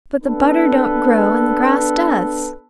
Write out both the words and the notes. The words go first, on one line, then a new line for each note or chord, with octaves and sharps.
But the butter don't grow, and the grass does.
B3 D4 A4 B4